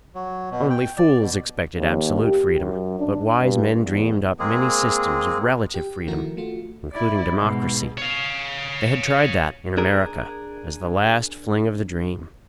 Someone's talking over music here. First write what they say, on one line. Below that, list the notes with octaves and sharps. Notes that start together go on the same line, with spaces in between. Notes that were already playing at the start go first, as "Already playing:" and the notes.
Only fools expected absolute freedom, but wise men dreamed up many systems of relative freedom, including democracy. They had tried that in America, as the last fling of the dream.
F#3
B2
G5
D5
B2
D#2
G4
F#2
D4
G2
E2
G#3 A#3 C4 G#4
G4 G5
D#3 F3 A3 E4 F#4 A#4
A3 F4 F#4
E4 D5
G#2 B2
C#5 F5
D4 G#4 A#4